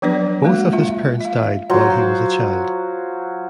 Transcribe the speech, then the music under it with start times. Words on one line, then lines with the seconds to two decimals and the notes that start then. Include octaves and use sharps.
Both of his parents died while he was a child.
0.02 F3 F#3 B3 D4 B4 D5
0.44 G#3 A#3 F#4
0.72 F4 E5
1.21 E5 F5
1.70 F#3 F4 C5